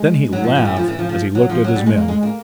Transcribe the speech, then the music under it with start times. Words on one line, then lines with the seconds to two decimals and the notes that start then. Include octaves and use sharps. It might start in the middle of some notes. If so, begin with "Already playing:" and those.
Then he laughed as he looked at his men.
Already playing: G#3
0.33 F#3
0.44 F3
0.55 F3
0.65 E3
0.76 F3
0.88 E3
0.99 F3
1.09 F3
1.35 F#3
1.49 F3
1.64 F#3
1.76 G3
1.86 G#3
1.97 A#3
2.08 G#3
2.23 A#3